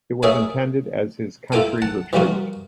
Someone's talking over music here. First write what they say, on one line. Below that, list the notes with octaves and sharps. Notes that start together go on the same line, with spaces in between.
It was intended as his country retreat.
G#4 A#4 C#5 E5 F5 G#5
E4 F4 A4 A#4 G5 G#5
F#5 A5
E3 F3 G3 F4 F#4 A#4